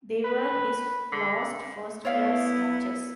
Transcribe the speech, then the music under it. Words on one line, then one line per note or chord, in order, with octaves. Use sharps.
They were his last first-class matches.
B4
D3
B3 E4 C#5 D5 F5